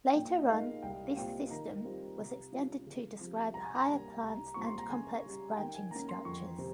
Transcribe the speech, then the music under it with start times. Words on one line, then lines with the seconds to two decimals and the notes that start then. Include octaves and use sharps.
Later on, this system was extended to describe higher plants and complex branching structures.
0.15 A#2 G5
0.40 D#5
0.49 G#3 D#4 A#4 F5
0.83 C2 G5
1.17 A#2 G3 C4 F4 G5
1.51 D#3 A#5
1.85 G3 C4 F4
2.19 C3
2.52 G3 C#4 F4
2.86 C#3
3.20 F3 C4 G4
3.54 C2 A#5
3.65 G#5
3.75 A#5
3.88 C3 G3 A#3
4.22 C2
4.54 A#2 G3 C4 F4 C#6
4.66 C6
4.78 A#5
4.90 C#3 G#5
5.24 G3 C#4 G4
5.57 D#3 G5
5.75 G#5
5.91 A#3 C#4 A#5
6.09 C6
6.25 F2 C#6
6.58 C3 C4